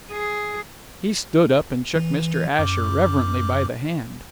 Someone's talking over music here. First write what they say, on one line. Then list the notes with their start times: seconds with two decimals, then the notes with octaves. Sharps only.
He stood up and shook Mr. Asher reverently by the hand.
0.11 G#4
1.96 E3
2.59 F#2 D6